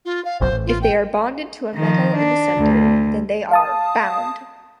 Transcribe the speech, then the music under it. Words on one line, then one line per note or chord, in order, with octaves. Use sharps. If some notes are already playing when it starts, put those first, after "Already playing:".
If they are bonded to a metal in the center, then they are "bound".
F4
F5
F#1 B1 F#2 C5
A1
F4
G5
D#3 F3
D4
D2
F5 A5 D#6